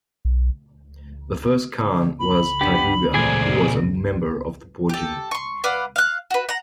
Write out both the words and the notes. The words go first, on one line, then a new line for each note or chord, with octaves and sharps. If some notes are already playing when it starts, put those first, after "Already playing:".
The first Khan was Taibuga, who was a member of the Borjigin.
B1
B5
B3 D4 G4 E7
E1 A#2 A3 C4 G#4 D5 G#5
G4 A4
C6 C#6
B4 D5 F5 F#5
F5 F#6
F#4 B4
F#5 A#5